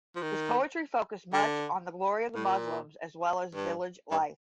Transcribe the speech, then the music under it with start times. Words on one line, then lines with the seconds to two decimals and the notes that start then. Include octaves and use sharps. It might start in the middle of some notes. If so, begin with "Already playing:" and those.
His poetry focused much on the glory of Muslims as well as village life.
0.16 F3
0.22 D#3
1.33 D3
2.35 A2
2.45 A#2
3.55 G2
4.11 G2